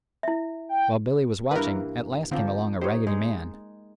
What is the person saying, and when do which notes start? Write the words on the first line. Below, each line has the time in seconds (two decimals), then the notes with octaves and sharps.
While Billy was watching, at last came along a raggedy man.
0.23 E4 E5
0.69 G5
1.51 G2 E3 A#3 A#4 B4
2.31 D3 F3 A#3 C4
2.81 D#4 G4 C5 C#5
3.07 G#3 D#4